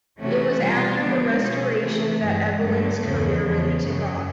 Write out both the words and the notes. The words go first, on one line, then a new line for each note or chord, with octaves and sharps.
It was after the Restoration that Evelyn's career really took off.
C3 E3 A3 C#4 F#4
B2 G3 C4 F4
D3 F3 G#3 B3 D4
B2 G#3 C#4 F4 G#4
C3 E3 A3
G2 E3 G#3
G2 D3 F#3 A3
E2 C#3 F3
E2 C#3 F3
F#2 C#3 F#3